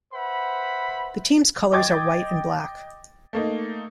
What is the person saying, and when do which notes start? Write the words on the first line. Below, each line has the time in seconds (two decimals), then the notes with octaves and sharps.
The team's colors are white and black.
0.13 B4 C5 E5 F#5 B5
1.72 D#5 G5 D6 G#6 A6
3.33 A3 A#3 D#4